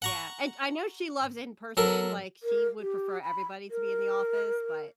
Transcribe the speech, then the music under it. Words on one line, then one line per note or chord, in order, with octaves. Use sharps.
Yeah, and I know she loves in-person, like, she would prefer everybody to be in the office, but,
F#5 A#5 C#6
F#3 A4 A#4
A#4
G4
B5
A#4